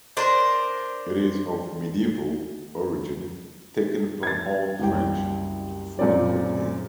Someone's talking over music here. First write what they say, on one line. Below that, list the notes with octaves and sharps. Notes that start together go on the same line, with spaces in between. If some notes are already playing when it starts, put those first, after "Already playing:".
It is of medieval origin taken from Old French "faulconnier".
D4 A#4 C5
G#6 A6
F#1 C2 G3 G5
F#2 A#2 C4 D5